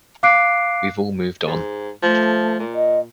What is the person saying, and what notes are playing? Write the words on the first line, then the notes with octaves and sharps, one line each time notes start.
We've all moved on.
F5 D6 F#6 C7 D7
G#2
F3 A3
A#2
D#5